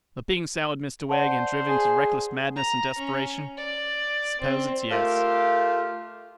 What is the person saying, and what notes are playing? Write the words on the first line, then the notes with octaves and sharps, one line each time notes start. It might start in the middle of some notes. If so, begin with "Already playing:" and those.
But being soured, Mr Wegg, and driven to reckless madness and desperation, I suppose it's Yes.'
C5 D5 F#5 A5
G#4
A#5
C#4
D5
C4
A3 F4 G4 A#4 F5